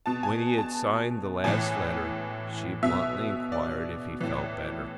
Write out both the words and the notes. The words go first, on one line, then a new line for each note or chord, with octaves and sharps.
When he had signed the last letter she bluntly enquired if he felt better.
B2 A5
G#5
A5
A2 E3 G#5
B2 E5
D5
A2 E3